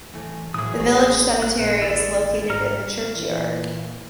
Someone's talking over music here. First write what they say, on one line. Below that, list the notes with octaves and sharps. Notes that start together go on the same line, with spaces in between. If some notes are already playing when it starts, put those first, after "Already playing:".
The village cemetery is located in the churchyard.
E3 A3
A2 E3 F#3 E4 G#4 D#6
A1 F#4 B4 C#5
A#2 F#6
D#3 E4 D5
G#2 A#5 F6
A#2 E3